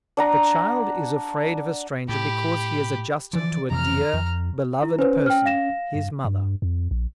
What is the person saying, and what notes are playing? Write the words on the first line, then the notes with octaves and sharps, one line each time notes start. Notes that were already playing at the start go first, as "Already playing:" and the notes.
The child is afraid of a stranger because he is adjusted to a dear, beloved person, his mother.
D4 F#5 A#5
A2 G4 B5
E3 F3 D5
F2 C3 E3 A#5 F6
F2
E4
C#4 B4 C5
G5 F6
F5 A#6 E7
G2
G2
F2
A#1